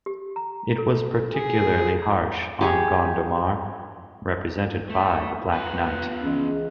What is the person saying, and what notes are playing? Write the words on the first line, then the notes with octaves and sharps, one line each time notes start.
It was particularly harsh on Gondomar, represented by the Black Knight.
G4
A#5
A4
G#4
G4 G#4 C#5
A3
B3 F4 B4
C#2 E3 C#4 D#5